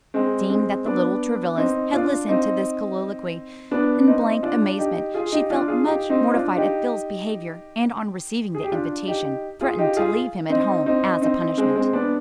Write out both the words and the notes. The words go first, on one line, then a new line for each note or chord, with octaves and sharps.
Seeing that the little Travillas had listened to this colloquy in blank amazement, she felt much mortified at Phil's behavior, and on receiving the invitation threatened to leave him at home as a punishment.
G#3 C4
G#3 C4
B3 D4
C4 D#4
D4 F4
C4 D#4
B3 D4
C4 D#4
D4 F4
D#4 G4
F4 G#4
D#4 G4
D4 F4
F4 G#4
D#4 G4
C4 D#4
D4 F4
D#4 G4
G#4
G4
D4 F4
D#4 G4
F4 G#4
D#4 G4
F4 G#4
C4 D#4
C4 D#4
C4 D#4
G#3 C4
G#3 C4
B3 D4